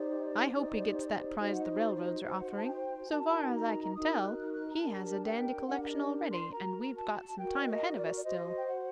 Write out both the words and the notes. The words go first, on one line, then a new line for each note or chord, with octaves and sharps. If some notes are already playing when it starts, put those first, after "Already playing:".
"I hope he gets that prize the railroads are offering. So far as I can tell he has a dandy collection already, and we've got some time ahead of us still."
Already playing: D#4 G4 C5 D5
D#4 G4 C5
D#4 F#4 C5 D#5
F#5
D#5
D5
D5
D#5
D#4 F#4 C5 F#5
A5
G5
D#4 F#4 A#4 A5
A#5
D#4 F#4 A#4 D#6
F#6
F#6
A#5
D4 G4 A#4 A5
G5
D4 G4 A#4 F#5
F#5
D#5
C6
F#4 A#4 A#5
A5
F#4 A#4 G5
D5
D#5
D5
D5
F#4 C5 D#5
G5
F#5